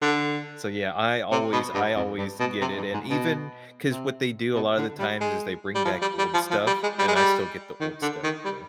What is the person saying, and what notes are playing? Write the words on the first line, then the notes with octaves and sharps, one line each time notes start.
So, yeah, I always I always get it, and even 'Cause what they do a lot of the times is they bring back old stuff, and I still get the old stuff, too.
D3
C3
B2
G2
F2
G2
B2
C3
G2
G#2
B2
C3
B2
D3
G3
G#3
G3
F3
G3
G3
F3
F3
G3
G#3
G3
G#3
G3
D#3
D3
D#3
G3